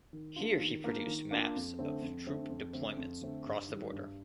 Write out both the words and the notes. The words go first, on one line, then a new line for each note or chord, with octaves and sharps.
Here he produced maps of troop deployments across the border.
D#3
A#3 D4 F4
D#3
A#3 D4 F4
D#3
A#3 D4 F4
F2
D3 A3 C4
F2
D3 A3 C4
F2
D3 A3 C4
F2
D3 A3 C4
G2
D#3 G3
G2